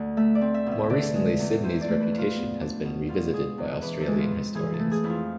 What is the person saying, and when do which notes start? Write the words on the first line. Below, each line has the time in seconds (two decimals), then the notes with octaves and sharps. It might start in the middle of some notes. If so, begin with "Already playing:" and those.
More recently Sydney's reputation has been revisited by Australian historians.
Already playing: D2 D3
0.17 A3 E5
0.35 D5
0.41 C4
0.54 E5
0.67 B2 E5
0.90 D3 D5
1.15 G#3
1.39 E2
1.63 E3 C5
1.81 D5
1.88 A3
2.00 B4
2.12 F2
2.18 F4
2.37 B3
2.61 D4
2.85 B2
3.09 B2 F4
3.33 G#3 G#4
3.58 E2
3.82 E3 B4
4.01 A4
4.07 G#3
4.19 F4
4.31 F2
4.55 E3 G#4
4.74 A4
4.79 A3
4.91 G#4
5.04 F2 E4
5.10 F4